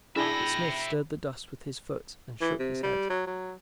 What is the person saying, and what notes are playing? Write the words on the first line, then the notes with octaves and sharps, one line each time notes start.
But Smith stirred the dust with his foot and shook his head.
D4 E4 G#4 E5 G5 B5 A#6
E3
C3
G3
F#3
F#3